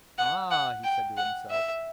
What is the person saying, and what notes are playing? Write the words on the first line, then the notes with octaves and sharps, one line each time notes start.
'Ah!' he said to himself.
F#5
F#5
G5
F#5
E5